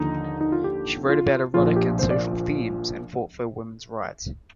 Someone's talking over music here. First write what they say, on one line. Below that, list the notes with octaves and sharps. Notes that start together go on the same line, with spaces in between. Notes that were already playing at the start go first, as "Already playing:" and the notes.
She wrote about erotic and social themes and fought for women's rights.
Already playing: D#2 D3 F3 D#4
D#4
F4
G4
F4
A#1 A#2 F3 F4
F4
G4
C5
D5